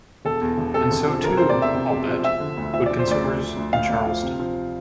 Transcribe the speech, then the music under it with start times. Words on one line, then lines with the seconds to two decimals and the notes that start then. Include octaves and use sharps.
And so too, I'll bet, would consumers in Charleston.
0.25 E1 A4
0.41 E2
0.58 E1
0.74 C3 A4
0.91 E1
1.08 F3
1.24 E1 A#4
1.37 C3 C5
1.50 D5
1.58 E2 E5
1.74 C3
1.90 E1
2.07 F3
2.24 F3 E5
2.40 D3
2.57 D2
2.74 F3 E5
2.86 F3 D5
2.99 C5
3.07 D2 D5
3.23 D2
3.39 D2
3.56 D2
3.73 D2 F5
3.89 D2
4.06 F3
4.23 C3
4.39 F3